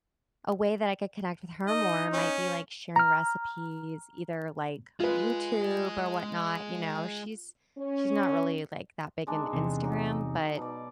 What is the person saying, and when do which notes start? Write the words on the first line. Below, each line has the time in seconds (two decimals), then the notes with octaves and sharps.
a way that I could connect with her more might be, like, sharing recipes either, like, on YouTube or whatnot, you know? She's she's not really, like, that big into Instagram, but
1.67 D#4 D#5
2.14 C#4
2.96 A#5 F6
5.00 G#3 F4 G#4 B4
7.78 C#4
9.27 G#3 D4 D#4
9.53 E2 C3
9.83 F#3 D#4
10.57 B2 D5